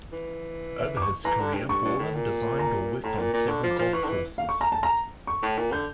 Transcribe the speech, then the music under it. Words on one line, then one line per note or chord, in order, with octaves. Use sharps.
Over his career, Borland designed or worked on several golf courses.
E3
E5
D6
C#6
E3 A#5
D3
G2
G2 C#6
G2
A2
A#2
A#5
A2 A#5
A#2
A#2
D3 C#6
F3
D6
F3
E3 C#6
D3
E3
F5
C#6
A#5
A5
A#5
C#6
A2
A#2
D3 G6